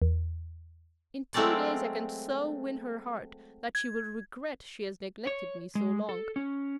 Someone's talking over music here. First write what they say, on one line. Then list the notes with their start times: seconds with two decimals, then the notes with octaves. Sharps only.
"In two days I can so win her heart that she will regret she has neglected me so long."
0.02 E2
1.34 F#3 G#3 A3 C4 A#4 D5
3.75 G#6
5.27 C#5
5.75 G#3
6.09 A4
6.36 C#4